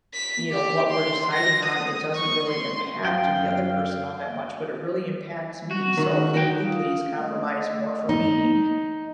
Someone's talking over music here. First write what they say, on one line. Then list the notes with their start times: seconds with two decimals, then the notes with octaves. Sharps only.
you know, what we're deciding on, it doesn't really impact the other person all that much, but it really impacts me, so can you please compromise more for me,
0.14 B6
0.50 G4
0.90 C6
1.33 A#6
1.64 D#6
2.15 C#6
2.49 C6
3.05 F#2 F5 G5
5.71 F#4
5.97 D#3
6.34 F#4 G5
6.63 F4 F5 D#6
7.18 A3 D#5 D#6
8.09 D#4